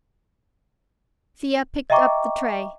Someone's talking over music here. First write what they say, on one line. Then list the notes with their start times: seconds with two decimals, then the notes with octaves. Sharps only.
Thea picked up the tray.
1.90 D#5 E5 G5 A#5 C#6 D6